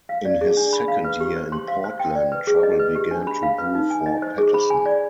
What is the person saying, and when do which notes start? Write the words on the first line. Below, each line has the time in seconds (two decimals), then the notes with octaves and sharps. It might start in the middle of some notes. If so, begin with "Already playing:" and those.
In his second year in Portland, trouble began to brew for Patterson.
0.09 F5
0.25 D5
0.41 G#4
0.57 D4
0.73 B5
0.88 F5
1.04 B4
1.20 G4
1.36 C5
1.52 C6
1.68 F5
1.84 C5
1.99 G5
2.15 D5
2.32 B4
2.47 G#4
2.63 D#5
2.79 B4
2.95 G4
3.11 D4
3.27 B5
3.43 F5
3.58 B4
3.75 D#4
3.90 G#5
4.06 D#5
4.22 C5
4.38 G#4
4.54 B5
4.70 G#5
4.86 D5